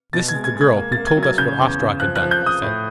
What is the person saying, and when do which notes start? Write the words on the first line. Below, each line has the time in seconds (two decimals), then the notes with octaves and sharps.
"This is the girl who told us what Ostrog had done," he said.
0.13 B2 A6
0.28 G#6
0.34 G#3
0.44 G#6
0.56 G#3
0.61 G#6
0.75 A#3
0.92 A#3 A6
1.07 G#6
1.17 F#3
1.23 G#6
1.38 C#3 G6
1.58 E2
1.80 C#3
2.00 F3 F#6
2.16 F#6
2.22 F3
2.31 G6
2.42 F3 D#6
2.63 A2